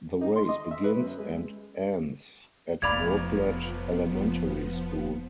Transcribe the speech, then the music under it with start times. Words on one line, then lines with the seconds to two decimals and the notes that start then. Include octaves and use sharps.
The race begins and ends at Brooklet Elementary School.
0.21 D#4
0.36 C6
0.49 D#5
0.71 E5
0.84 B4
1.00 F#2
1.18 G#3
2.82 F1 A#1 F3 B3 D5 B5 G#6 F7